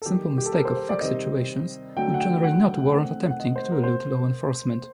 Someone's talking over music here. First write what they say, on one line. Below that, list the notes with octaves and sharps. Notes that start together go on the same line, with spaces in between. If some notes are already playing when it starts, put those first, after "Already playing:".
Simple mistake of fact situations would generally not warrant attempting to elude law enforcement.
A4
D#3 G3 A#3 G4
G4
A4
A#4
C5
C5
D5
C3 D#3 G3 C4 D#5
D3 F#3 A3 G5
F#5
G5
F#5
D#3 A3 C4
F#5
D#5
C5
A#4
C5